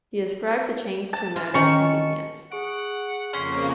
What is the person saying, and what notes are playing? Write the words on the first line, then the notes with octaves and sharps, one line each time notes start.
He ascribed the change to a matter of convenience.
A5
F4
D#3 C#4 C#6
G#4 F#5 C#6 D7
F2 C#3 A#3 C#4 C6